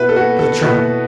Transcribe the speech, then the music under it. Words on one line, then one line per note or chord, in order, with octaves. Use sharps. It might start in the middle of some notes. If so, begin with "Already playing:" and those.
"To the trap!"
Already playing: B2 B3 E4 B4
A4
F#4
A4
B2 B3 E4 B4